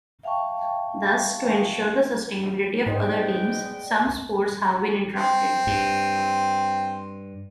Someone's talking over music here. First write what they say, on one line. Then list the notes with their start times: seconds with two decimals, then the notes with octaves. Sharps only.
Thus, to ensure the sustainability of other teams, some sports have been interrupted.
0.23 E5 F5 G5 A5 C#6
2.86 G#2 G#3 B3 D#4 C5 D5 D#5 G5
5.14 C4
5.67 G2